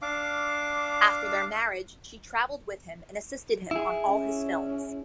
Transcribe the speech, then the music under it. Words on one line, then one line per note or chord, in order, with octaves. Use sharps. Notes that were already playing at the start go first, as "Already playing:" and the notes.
After their marriage she traveled with him and assisted him on all his films.
D4 F5 D6
E4 G#4
C#4